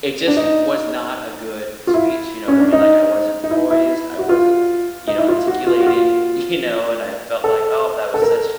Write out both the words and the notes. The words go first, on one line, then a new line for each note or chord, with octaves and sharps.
it just was not a good speech. You know what I mean? Like, I wasn't poised, I wasn't you know, articulating, you know? And I felt like oh, that was such
D4
D#4
F4
E4
C#4
D4
D#4
D#4
E4
E4
F#4
F4
D#4
E4
F4
F#4
F4
F#4
F4
A4
A4
A#4